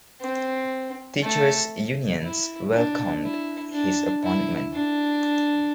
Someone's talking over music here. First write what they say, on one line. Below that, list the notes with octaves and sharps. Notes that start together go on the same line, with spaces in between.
Teachers unions welcomed his appointment.
C4
A3
E4
D4
E4
D4
E4
D4